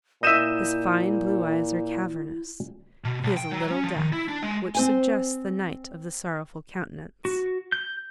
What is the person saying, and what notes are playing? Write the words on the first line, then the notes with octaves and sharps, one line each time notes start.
His fine blue eyes are cavernous; he is a little deaf, which suggests the Knight of the Sorrowful Countenance.
A#2 E4 D#5 E5 G6 D#7 E7
B2
B1
G5
F#3
C#4
F3
D#3
E4
D4
G#3
C4 C5 G#5
F#4
G6